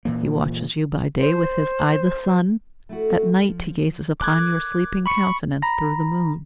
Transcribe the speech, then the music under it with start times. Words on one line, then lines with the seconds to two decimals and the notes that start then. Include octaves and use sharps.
He watches you by day with his eye, the sun; at night, he gazes upon your sleeping countenance through the moon.
0.05 A#2 E3 A#3
1.18 C5
2.89 A3 E4 F#4
3.49 F3
4.20 A#4 D5 D6 F#6 G#6
5.06 B5 C#6 C#7
5.62 A#5 B5 A#6